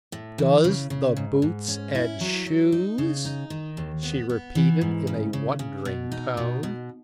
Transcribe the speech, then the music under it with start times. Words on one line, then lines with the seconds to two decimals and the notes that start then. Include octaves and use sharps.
'Does the boots and shoes!' she repeated in a wondering tone.
0.12 A2
0.38 E3
0.64 C#3
0.90 C#3
1.17 G#2
1.42 G#2
1.68 C#4
1.95 E4
2.21 F#3
2.46 F#3
2.72 D#4
2.98 C#3
3.25 D#4
3.50 D#3
3.77 D#2
4.03 B3
4.29 B3
4.55 E3
4.81 G#2
5.07 C#3
5.33 C#3
5.59 C#3
5.85 B2
6.12 D#4
6.37 B2
6.63 B2